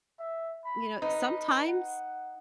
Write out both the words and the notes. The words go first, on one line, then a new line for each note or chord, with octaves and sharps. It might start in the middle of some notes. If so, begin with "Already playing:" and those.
you know, sometimes
E5
B5
D#4 B4
F#5